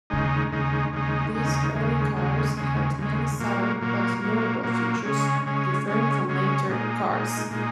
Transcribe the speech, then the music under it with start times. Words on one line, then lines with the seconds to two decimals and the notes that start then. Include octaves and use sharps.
These early cars had many subtle but notable features differing from later cars.
0.10 D#2 C#3 G#3 D#4
0.52 D#2 C#3 G#3 D#4
0.93 D#2 C#3 G#3 D#4
1.35 D#2 C#3 G#3 D#4
1.75 D#2 C#3 G#3
2.16 D#2 C#3 G#3
2.57 D#2 C#3 G#3
2.99 D#2 C#3 G#3
3.39 A#2 F#3 A#3
3.81 A#2 F#3 A#3
4.22 A#2 F#3 A#3
4.63 A#2 F#3 A#3
5.05 C#3 G#3 C#4
5.46 C#3 G#3 C#4
5.87 C#3 G#3 C#4
6.28 C#3 G#3 C#4
6.69 A#2 G#3 D#4
7.10 A#2 G#3 D#4
7.51 A#2 G#3 D#4